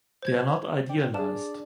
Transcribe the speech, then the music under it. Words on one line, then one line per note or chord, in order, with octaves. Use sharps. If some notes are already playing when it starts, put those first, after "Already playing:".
They are not idealized.
C5 G#6
D3 D5 G5
D4 G#4 D5 A5